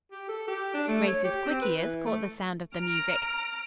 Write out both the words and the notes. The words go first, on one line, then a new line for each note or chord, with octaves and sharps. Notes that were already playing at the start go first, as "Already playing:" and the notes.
Grace's quick ears caught the sound of the music.
G4
A4
G4
D4
A3
C#5
G4
C4
B4
E3
A3
A#5 F6 D7